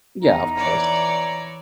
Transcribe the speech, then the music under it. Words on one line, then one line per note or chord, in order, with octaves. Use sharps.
Yeah, of course.
E2 D#4 A#5
E3 C#5 D5